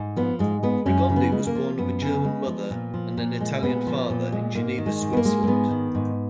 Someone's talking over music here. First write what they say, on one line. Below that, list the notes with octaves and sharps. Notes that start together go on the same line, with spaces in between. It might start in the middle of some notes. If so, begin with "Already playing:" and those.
Regondi was born of a German mother and an Italian father in Geneva, Switzerland.
Already playing: G#2
F3 B3
G#2 G#3
G#3 B3
F#2 C#4
C#3
B3
G#3
A#3
F3
F#2 B3
C#3
G#3
F3
A#2
F3
A#2
G#3
A#2 B3
F3
A#2
G#3
G#2 A#3
D#3
G#3
G#2
B3
A#3
G#3
A#3
G#2 B3
D#3
G#2